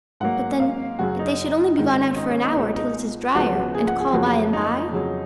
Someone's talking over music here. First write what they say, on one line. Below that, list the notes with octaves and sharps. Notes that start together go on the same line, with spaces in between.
"But then, if they should only be gone out for an hour till it is dryer, and call by and by?"
G#2 F#3 A#3 F#5
F5
F#2 C#3 F#3 F#4
D#4
G#2 D#3 G#3
D#4
C#4
D#4
C#2 B2 G#3 D#4
D#4
C#2 C#3 F3 B3 F#4
F#4
G#4
F#5
G#4
F2 C#3 F#3 A#3 F#4
D#4
F2 C#3 F#3